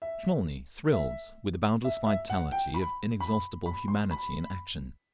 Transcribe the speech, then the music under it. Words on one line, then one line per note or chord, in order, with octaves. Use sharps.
Smolny thrilled with the boundless vitality of inexhaustible humanity in action.
E5
E5
E5
E5
F#5
G5
B5
B5
B5
C6
B5